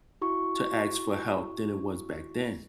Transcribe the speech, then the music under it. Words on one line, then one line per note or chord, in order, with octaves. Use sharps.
to ask for help than it was back then?
E4 F#4 C#6